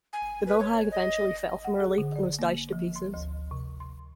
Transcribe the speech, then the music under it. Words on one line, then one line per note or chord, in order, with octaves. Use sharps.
The mill hag eventually fell from her leap and was dashed to pieces.
G#5
B4
C#5
D#5
F#5
G#4
D3
D5
A#3
F3
C6
D2
C3
C6